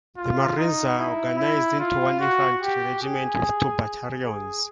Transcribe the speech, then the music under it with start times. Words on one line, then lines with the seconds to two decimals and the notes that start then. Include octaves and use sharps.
The marines are organized into one infantry regiment with two battalions.
0.17 F4
0.57 D#4
0.99 E4
1.39 E4
1.80 F4
2.20 F#4
2.62 G4
3.02 G#4
4.24 G#4